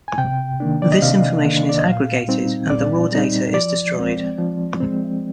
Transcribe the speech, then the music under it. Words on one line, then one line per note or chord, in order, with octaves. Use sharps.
This information is aggregated, and the raw data is destroyed.
G#5
C3 G5
D#3 A#3 D4
D5
D#5
C3 F5
D#3 A#3 D4
D5
D#5
A#2 F5
G3 C4 D#4
A#2 D5
G3 C4 D#4
F3 D5
G#3 C4
F3
G#3 C4